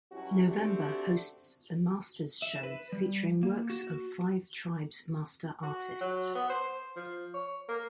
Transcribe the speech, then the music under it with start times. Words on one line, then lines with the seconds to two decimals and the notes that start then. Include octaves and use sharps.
November hosts the Master's Show featuring works of Five Tribes Master Artists.
0.11 G2 F#3 G3 C#4 E4 F#4
0.45 A3 C4 D4 F#4 G4
2.42 E5
2.63 B4
2.92 G3
3.43 A#3
3.70 F#4
5.63 F#4
6.01 F#3
6.35 B3
6.50 C5
6.96 F3
7.34 C#5
7.68 A#3